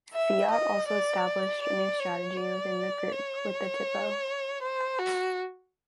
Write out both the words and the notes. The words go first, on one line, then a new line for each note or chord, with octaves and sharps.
Fiat also established a new strategy within the group with the Tipo.
E5
D#5
D5
D5
C#5
D5
C#5
C5
F#4